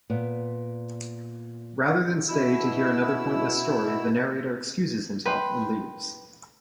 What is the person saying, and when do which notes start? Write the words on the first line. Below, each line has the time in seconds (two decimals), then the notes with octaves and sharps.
Rather than stay to hear another pointless story, the narrator excuses himself and leaves.
0.10 A#2 B3
2.28 B2 E4 E6
5.25 B4 G5 B5 C6